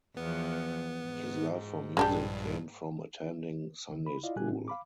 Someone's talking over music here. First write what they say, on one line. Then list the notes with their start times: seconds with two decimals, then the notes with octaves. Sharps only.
His love for music came from attending Sunday school.
0.17 E2 F3 B3
1.05 G#2
1.97 A#1 G2 G#3 D4 G4
3.89 C2 D#3
4.06 B5
4.23 E4 F4 D5 D#5 F5
4.36 A#2 G3 G4 A4 G#5 F#6
4.50 A2 C4
4.68 F5 B5 D6